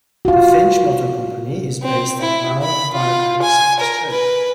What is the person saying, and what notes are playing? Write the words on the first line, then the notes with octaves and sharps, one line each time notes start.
The Finch Motor Company is based in Mount Barker, South Australia.
F4 F#4
C4
E4
B5
F4
G#5
A#4
B4